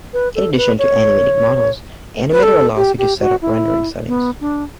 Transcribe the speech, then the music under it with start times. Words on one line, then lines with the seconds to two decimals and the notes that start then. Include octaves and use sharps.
In addition to animating models, Animator allows you to set up rendering settings.
0.14 B4
0.35 A4
0.57 B4
0.79 C#5
2.32 B4
2.43 A4
2.77 G4
2.98 G4
3.20 F#4
3.42 E4
4.08 B3
4.41 D4